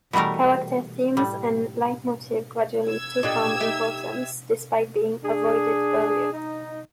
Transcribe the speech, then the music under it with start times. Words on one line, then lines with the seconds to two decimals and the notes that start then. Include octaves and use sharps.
Character themes and leitmotifs gradually took on importance, despite being avoided earlier.
0.13 B2 E3 G3 A3 A#4
1.17 A2 G3
2.87 E6 G#6
3.23 A#2 D4 G4 A4 D#5
3.60 D#4 G4 E5
5.24 D4 G#4
6.33 D#4